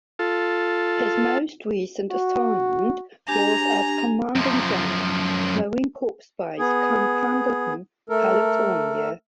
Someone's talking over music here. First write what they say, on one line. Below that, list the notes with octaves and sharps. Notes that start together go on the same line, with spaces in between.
His most recent assignment was as Commanding General, Marine Corps Base Camp Pendleton, California.
F4 A4
F#4
D4 G4 G#5 A#5
F#2 F3
B3 G#4
A3 A4 A#4